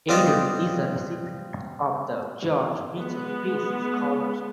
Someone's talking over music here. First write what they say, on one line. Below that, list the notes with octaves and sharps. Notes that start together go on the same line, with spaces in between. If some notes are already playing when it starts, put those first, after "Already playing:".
Eder is a recipient of the George Mitchell Peace Scholarship.
G3 B3 C4 F4 D5 D#5
G#3 B3